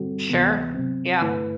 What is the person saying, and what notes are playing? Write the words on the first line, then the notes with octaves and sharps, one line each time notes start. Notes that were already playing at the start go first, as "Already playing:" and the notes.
Sure. Yeah.
Already playing: D3 G3 C4 F#4 A4
D2 C3 E3 B3
C3 F#3 C4
G2 D3 A3 E4 B4